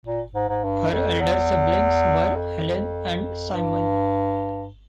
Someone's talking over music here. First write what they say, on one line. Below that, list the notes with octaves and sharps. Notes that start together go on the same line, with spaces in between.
Her elder siblings were Helen and Simon.
A#2
G#2
G#2
G2
F2
E2
F2
G2